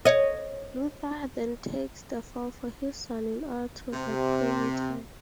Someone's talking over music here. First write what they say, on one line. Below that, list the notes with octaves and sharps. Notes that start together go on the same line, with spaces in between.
Luther then takes the fall for his son in order to avoid prison time.
C#5 D#5
C3